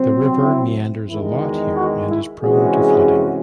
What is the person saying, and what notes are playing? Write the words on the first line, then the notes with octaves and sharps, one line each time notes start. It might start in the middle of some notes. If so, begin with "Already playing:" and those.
The river meanders a lot here and is prone to flooding.
Already playing: C3 F#3 C4
E4
E2 D#3 G#3 E4
F#4
F#4
E4
C3 E3 G#3 C#4 F#4 G#4